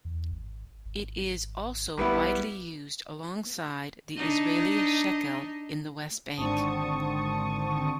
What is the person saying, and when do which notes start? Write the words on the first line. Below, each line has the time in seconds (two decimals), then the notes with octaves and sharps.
It is also widely used alongside the Israeli shekel in the West Bank.
0.05 E2
0.32 G#1
0.85 G#1
1.98 A#1 G3 B3 E4
4.17 D4 D#4 D#5
6.37 G#1 D3 C4 A5 C#6 D#6